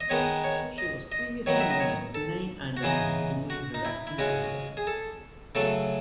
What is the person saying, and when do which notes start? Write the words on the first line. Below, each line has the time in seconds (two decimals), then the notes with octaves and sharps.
She was previously known as Elaine Anderson during her acting career.
0.01 D#5
0.10 D#3 G#3 B3 D#4 C#5
0.44 C#5
0.78 D#5
1.12 D#5
1.46 D#3 F#3 B3 D#4 C#5
1.60 E5
1.70 D#5
1.80 C#5
2.15 A4
2.77 F#4
2.83 C#3 E3 B3 D#4 G#4
3.50 F#4
3.74 D#4
3.85 E4
4.07 E4
4.18 C#3 G#3 C#4 F#4
4.77 G#4
4.87 A4
5.55 C#3 F#3 A3 A4